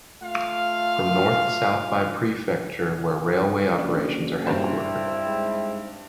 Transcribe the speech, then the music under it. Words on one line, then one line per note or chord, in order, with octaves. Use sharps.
From north to south by prefecture where railway operations are headquartered.
A3 F4 F5
F#1 D4
G2 G3 C4 E4 C5
G#2